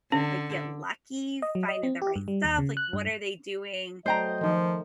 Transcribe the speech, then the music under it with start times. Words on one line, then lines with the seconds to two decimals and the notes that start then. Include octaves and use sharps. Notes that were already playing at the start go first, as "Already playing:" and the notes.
like, get lucky finding the right stuff?" Like, "What are they doing
0.12 D3 C#4
1.42 D#5
1.55 F#3
1.68 D#5
1.83 C4
2.02 G4
2.16 G2
2.28 G3
2.44 D#2
2.59 C#3
2.77 F#6
2.93 G2
4.06 F#3 A3 C5 D#5 G5 A#5
4.41 D#3 F3 D#4